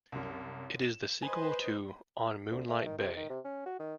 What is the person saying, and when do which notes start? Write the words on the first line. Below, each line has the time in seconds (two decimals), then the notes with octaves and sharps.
It is the sequel to "On Moonlight Bay".
0.12 C2 F#2
0.82 E7
1.22 B4 C5 D#5 G#5
2.51 D2
2.69 A3
2.86 D#3
2.98 C3
3.17 D#3
3.30 C3
3.45 C#4
3.66 F#4
3.79 D#3